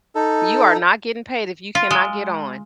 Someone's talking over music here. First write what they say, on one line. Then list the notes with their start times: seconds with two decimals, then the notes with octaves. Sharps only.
You are not getting paid if you cannot get on.
0.15 D#4 A4
1.75 F4
1.91 G#3